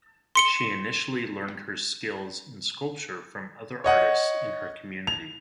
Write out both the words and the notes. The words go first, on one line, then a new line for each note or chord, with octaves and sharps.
She initially learned her skills in sculpture from other artists in her community.
C6 C#7 G7
C#5 D#5 F#5
F7